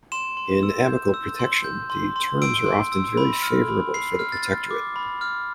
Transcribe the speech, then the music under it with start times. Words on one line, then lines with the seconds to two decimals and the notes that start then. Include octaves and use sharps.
In amical protection, the terms are often very favorable for the protectorate.
0.12 C6 E7
0.37 C6
0.63 E6
0.88 G6
1.14 E6
1.39 C6
1.64 G6
1.90 C6
2.16 C6
2.42 E6 D7
2.66 C6
2.92 E6
3.17 B5
3.42 F6
3.68 B5
3.94 B5 C7
4.19 F6
4.32 A6
4.44 F6
4.71 D6
4.96 B5
5.21 F6